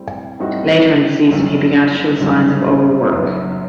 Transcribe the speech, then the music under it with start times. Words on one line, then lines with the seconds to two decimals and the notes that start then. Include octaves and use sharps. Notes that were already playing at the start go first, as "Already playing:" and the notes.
Later in the season, he began to show signs of overwork.
Already playing: A2 G3 C4
0.40 A2 G3 C4 D#4 F#4
1.31 G1 F#2 D#3 G3
2.21 G1 F#2 D#3 G3
3.11 F#1 F#2 D#3 F#3 B3